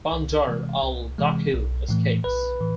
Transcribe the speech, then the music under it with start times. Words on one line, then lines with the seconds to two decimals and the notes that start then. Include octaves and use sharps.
Bandar Al-Dakheel escapes.
0.12 C2
0.48 C3 E3 G#3
0.83 C2
1.18 C3 E3 G#3
1.54 B1
1.89 A2 E3 A3
2.24 B1 B4
2.60 A2 E3